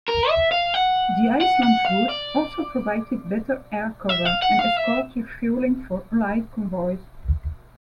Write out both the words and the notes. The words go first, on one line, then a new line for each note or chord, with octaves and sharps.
The Iceland route also provided better air cover and escort refuelling for allied convoys.
A#4
E5
F5
F#5
F#5
F#5
F5
D5
E5
F5
F#5
F5
E5